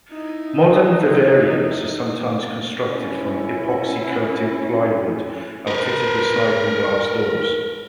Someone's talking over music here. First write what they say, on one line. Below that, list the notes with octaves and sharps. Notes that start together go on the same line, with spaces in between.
Modern vivariums are sometimes constructed from epoxy-coated plywood and fitted with sliding glass doors.
D#4 E4
C#4 E4
A#4 B4